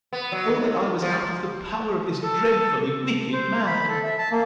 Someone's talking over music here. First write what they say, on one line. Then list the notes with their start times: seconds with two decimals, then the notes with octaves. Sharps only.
Oh, that I was out of the power of this dreadfully wicked man!
0.13 B3
0.32 F#3
0.48 D#2
1.02 F3
2.22 A4
3.33 C5
3.66 B5
3.89 A4
4.03 E5
4.18 A5
4.31 A#3